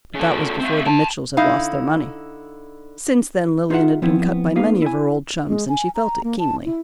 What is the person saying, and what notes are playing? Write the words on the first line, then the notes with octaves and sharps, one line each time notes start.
But that was before the Mitchells had lost their money. Since then Lilian had been cut by many of her old chums and she felt it keenly.
C#3 A3
A3 C4
G5 A5
D3 D#4 E4 F5
D#4 F4 G#4 B4 E5 F#5
F3 B3 C4 E4
A#3 B3 D#4 G#4 B4 F5
E4 G#5
G#3
G#5
A#5
A#3
A5
E4